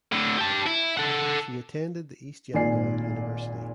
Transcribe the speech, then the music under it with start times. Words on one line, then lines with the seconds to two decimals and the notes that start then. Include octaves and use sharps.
She attended the East Yangon University.
0.12 A2 D3
0.38 G4 A5
0.66 E4
0.97 A4 F#5
2.54 G#1 A#2 D5 G#5 C7